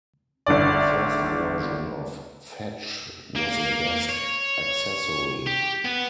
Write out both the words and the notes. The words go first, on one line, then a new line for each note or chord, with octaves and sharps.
The first version of Fetch was a desk accessory.
G1 D3 D5
A#3
C#5
G4
B3